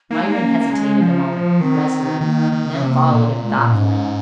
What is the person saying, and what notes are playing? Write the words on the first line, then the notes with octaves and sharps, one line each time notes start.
Myrin hesitated a moment, irresolute, and then followed him thoughtfully.
A#3 D#4
G#3 D#4
A#3
C#4
A#3
G#3
F3
D#3 C4
D#3 A#3
D#3
C#3
C3 A#3
A#2
G#3
A#3
G#2 C#4